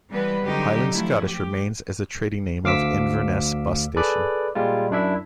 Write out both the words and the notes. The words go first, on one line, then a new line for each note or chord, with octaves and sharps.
Highland Scottish remains as the trading name of Inverness bus station.
E3 G3 G#3 B3 B4
F2 D3 F#3 D#4 G4
F3 A3 E4
G4
D2 F5 D6 E6 B6
G#4 A4 B4 D5
A#2 G3 G#3 F4
F#2 D4 E4 E5